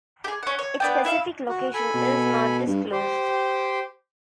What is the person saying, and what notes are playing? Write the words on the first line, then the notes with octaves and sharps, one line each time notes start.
Its specific location is not disclosed.
G4 G#4
C#4 F#5
C#5
B3 D4 G5
E4 E5 F5
F#4
A4 G#5 B5
B2
G2
G4 C5